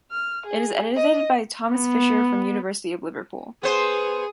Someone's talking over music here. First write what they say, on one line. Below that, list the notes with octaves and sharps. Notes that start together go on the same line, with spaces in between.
It is edited by Thomas Fischer from University of Liverpool.
F6
G#4
D#5
B3
B3 G#4 C5